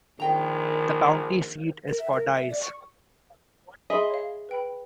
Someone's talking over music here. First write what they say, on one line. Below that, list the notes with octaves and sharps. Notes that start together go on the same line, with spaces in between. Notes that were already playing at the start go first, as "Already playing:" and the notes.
The county seat is Fordyce.
A#1 D#3 D#5 G5 A#5
A#4
E5
A#4
E5
D5
C#6
G#4 D#5 E5 G#5 B5 C6
C#5 F5
B4 G5 B5